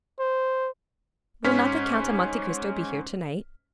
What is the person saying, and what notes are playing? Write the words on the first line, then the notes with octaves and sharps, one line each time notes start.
"Will not the Count of Monte Cristo be here to-night?"
C5
G#2 C#4 F6 B6